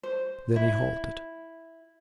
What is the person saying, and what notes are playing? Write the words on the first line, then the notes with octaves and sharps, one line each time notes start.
Then he halted.
C5
E4